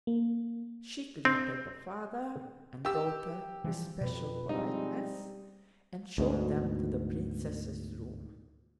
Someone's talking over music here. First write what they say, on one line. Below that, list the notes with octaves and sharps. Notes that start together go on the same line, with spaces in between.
She greeted the father and daughter with special politeness and showed them to the princess' room.
A#3
C4
G4 E6
E3 F3 G3
F2 B2 B4
F3 G3 G#3 C4 D#4
D2 G#2 B2